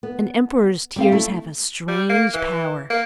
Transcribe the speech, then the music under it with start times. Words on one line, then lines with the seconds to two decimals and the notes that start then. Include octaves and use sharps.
An Emperor's tears have a strange power.
0.03 B3
0.96 G3 C4 F5
1.12 A3 E4
1.88 G3
2.09 A#3
2.34 E3
2.90 A#3